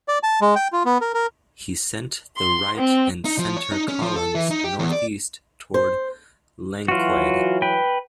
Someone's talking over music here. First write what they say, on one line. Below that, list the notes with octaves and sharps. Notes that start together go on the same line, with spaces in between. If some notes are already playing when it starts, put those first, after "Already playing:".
He sent the right and center columns northeast toward Langquaid.
D5
A5
G#3
G5
F4
B3
A#4
A#4
C6
C4
D#4
F3
C#5
D#4
C#4
F3
A4
E3
D#4
G4
E2
D5
C5
E3 F#3 F4 F#4
B4 G5